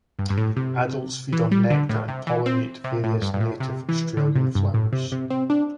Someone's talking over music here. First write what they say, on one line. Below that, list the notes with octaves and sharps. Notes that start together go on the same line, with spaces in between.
Adults feed on nectar, and pollinate various native Australian flowers.
G2
G2
A2
C3
E3
G3
D3
A2
C3
E3
C4
C3
A2
G2
G2
A2
C3
E3
D3
C3
G2
A2
C3
C3
C4
D4